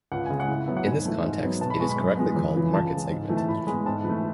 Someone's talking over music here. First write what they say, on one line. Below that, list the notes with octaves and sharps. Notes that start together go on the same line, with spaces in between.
In this context it is correctly called Market segment.
C#2 F#5
C#3 G#3 G#5
F#5
A2
F#3 B3 E5
F#5
G#2 G#5
E3 A3
G#2
F#3 B3
B2 A5
B5
G#3 B3 C#6
B5
F#2
E3 G#3 B3
E2
C#3 E3
C#2 A5
C#3 G#3
G#2
E3 A3
A5
A2 B5
G#3 B3 B5
G#2 A5
E3 A3 B4